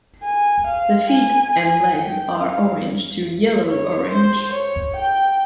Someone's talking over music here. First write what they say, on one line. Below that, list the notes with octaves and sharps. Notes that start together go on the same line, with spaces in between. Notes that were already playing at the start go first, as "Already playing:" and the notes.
The feet and legs are orange to yellow-orange.
G#5
F5
G#5
G5
F5
C#5
C5
C#5
G5